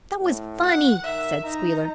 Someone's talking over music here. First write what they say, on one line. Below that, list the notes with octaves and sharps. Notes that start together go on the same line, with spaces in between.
"That was funny," said Squealer.
A2
F#5
D#3 E5
D#4 A#5